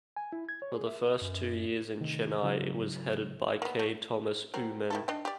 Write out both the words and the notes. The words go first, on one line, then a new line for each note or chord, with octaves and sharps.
For the first two years in Chennai it was headed by K Thomas Oommen.
G#5
E4
G#6
C#5
G#4
E5
F#2
C3 D#3 A3
G#2 C#3 F#3 E4
A#3 B3
A3
F#3 C4 A#4
D#3 E4 A4
D4 D#5 G5
G4 D5